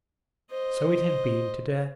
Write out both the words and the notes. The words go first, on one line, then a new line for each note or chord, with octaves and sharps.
So it had been today.
C5 D#5